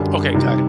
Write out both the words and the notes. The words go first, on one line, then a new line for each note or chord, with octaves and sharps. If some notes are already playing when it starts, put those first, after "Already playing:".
Okay, got it.
Already playing: F#2 D3 G3
C3 D#3 G3